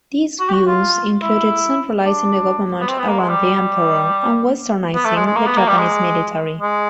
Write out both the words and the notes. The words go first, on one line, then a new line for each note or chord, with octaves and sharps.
These views included centralizing the government around the emperor, and Westernizing the Japanese military.
F#4
G4
F#4
F4
E4
D4
B3
C4
B3
A#3
G#3
G3
B3
A3
G#3
G#3
A#3
B3
A#3
G3
G#3
G#3